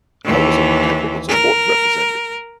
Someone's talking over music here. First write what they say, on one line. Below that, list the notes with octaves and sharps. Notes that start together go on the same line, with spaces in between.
I was a technical support representative,
D#2 E3
A#4